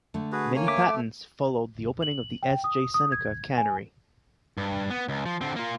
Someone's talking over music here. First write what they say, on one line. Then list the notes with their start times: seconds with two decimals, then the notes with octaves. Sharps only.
Many patents followed the opening of the S. J. Seneca Cannery.
0.14 D3 A3
0.32 F#4 G#4 B4
0.56 A#3 C#5 G#5
0.68 E5 D6
0.85 A3
2.02 F#7
2.43 G5
2.64 D#6
2.94 D#6
3.12 G#6
3.58 G#5
4.58 G2
4.90 B3
5.08 C#2
5.26 F3
5.41 D3 C4
5.56 A#3 F4